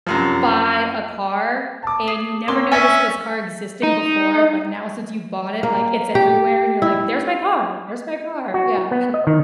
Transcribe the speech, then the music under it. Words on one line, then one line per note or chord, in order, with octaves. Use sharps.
buy a car and you never noticed this car existing before, but now since you bought it, like, it's everywhere and you're, like, "There's my car. There's my car," yeah.
F#2 C3 F3
A5 D6
G#4
A#3 C4 C#4 C6 D6 E6
C#4 D5 E5 G#5 C#6 B6
D#4
A#3
G4
E4
F#4
B3
D#5
D#3